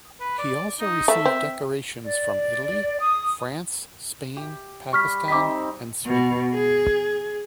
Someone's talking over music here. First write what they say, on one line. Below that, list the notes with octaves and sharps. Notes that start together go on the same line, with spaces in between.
He also received decorations from Italy, France, Spain, Pakistan and Sweden.
B4
D5
D#4
A3 E5
C4
D5
D#6
G4
G3 C#6 F6 B6
C4 D#4 G5 D6 B6
B2
G#4